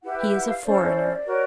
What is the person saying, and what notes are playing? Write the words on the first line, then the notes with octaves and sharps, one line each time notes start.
"He is a foreigner."
E4 G4 B4 F#5
G5
F#5
F5
C#4 E4 A4 C5 D5
F#4 A#4 C#5